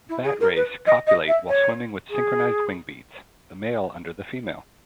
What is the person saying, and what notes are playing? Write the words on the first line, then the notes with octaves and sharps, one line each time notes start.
Bat rays copulate while swimming with synchronized wingbeats-the male under the female.
E4
G#4
A#4
B4
D#5
D#5
E5
C#5
G#4